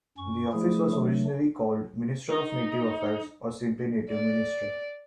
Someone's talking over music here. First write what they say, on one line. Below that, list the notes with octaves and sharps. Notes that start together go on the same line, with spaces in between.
The office was originally called Minister of Native Affairs, or simply Native Minister.
F#2 C#4 C#6
F3 G3 A3 E4 G#4
D#3 F#3 A3 D4
D#4
D5